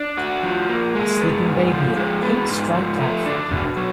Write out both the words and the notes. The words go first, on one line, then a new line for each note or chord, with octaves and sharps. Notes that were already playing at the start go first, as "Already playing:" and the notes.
A sleeping baby in a pink striped outfit.
Already playing: D4
F#4
F3
A#3
G#3
B3
G#2
F3
G#3
B3
G#2
F3
A3
D4
B2
F#3